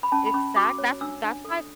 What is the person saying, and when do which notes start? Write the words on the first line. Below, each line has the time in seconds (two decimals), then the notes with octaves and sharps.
Exact That's that's why
0.03 B5
0.12 C#4 A5
0.26 B5
0.34 C#4 C#6
0.56 F#4 D6
0.78 C#5
1.01 D4 E6
1.24 D4
1.45 A4